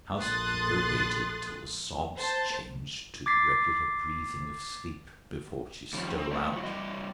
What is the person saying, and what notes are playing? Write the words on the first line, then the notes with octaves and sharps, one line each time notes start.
The housekeeper waited till the sobs changed to the regular breathing of sleep before she stole out.
A#1 A4 C6 D#6 F#6 A6
C5 A5
D6 G#6 A6 B6 C7
G#2 D#3 F3 G3 C4 C#4
C4
A2 A3 B4 C5 D5
E3 F#3 F4 F#4
E3 G3 D#5